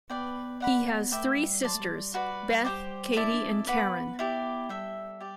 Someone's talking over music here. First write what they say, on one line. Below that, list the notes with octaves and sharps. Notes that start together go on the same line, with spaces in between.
He has three sisters, Beth, Katie and Karen.
B3 B4 D5 G5
D5 F#5 B5
A3 B4 E5 G5 D6
G3
F#3 D5 A5 C6
A3
G3
G3
F#4 B4 D5
G4 C5 G5 D6
A3 E4 A4 D5
D4
C4
B3 B4 F#5 B5 D6
E4 G4 D5
G3 A4 E5 G5
G4 D5